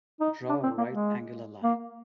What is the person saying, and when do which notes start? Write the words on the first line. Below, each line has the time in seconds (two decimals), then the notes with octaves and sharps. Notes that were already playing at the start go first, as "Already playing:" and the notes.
Draw a right-angular line.
0.21 D#4
0.49 D4
0.63 C4
0.78 A#3
0.92 G#3
1.64 A#3